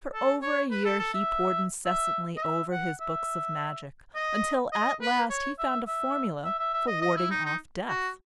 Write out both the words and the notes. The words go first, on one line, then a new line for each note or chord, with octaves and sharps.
For over a year he pored incessantly over his books of magic, until at last he found a formula for warding off death.
A4
C#5
B4
A4
A4
E5
E5
D#5
E5
F#5
E5
D#5
D#5
B4
C#5
E5
E5
E5
E5
E5
D#5
D#5
E4
D#4
D#4
F#4